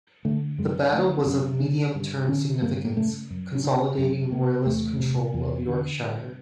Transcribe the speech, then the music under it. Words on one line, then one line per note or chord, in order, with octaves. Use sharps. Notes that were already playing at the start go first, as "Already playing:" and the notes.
The battle was of medium term significance, consolidating Royalist control of Yorkshire.
D3 A3
F#2 G#3
D3 A3
C4
F#2 C#4
D3 D4
G2
D3 C#4
G2 A#3
A#3
C#3 A3
F#2
C#4
C#3 D4
F#2 C#4
C3 A#3
E2 A3
C3
E2
D3
G2